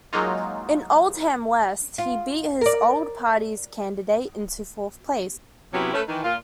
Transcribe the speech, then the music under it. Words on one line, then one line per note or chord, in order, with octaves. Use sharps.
In Oldham West he beat his old party's candidate into fourth place.
F#3 G#3 A#3 D#4 F4
F4
A#4 D5
C3 F#3 B3 C#4 E4 G4
A3 C#4 B4
D#3 E3
A#2 F4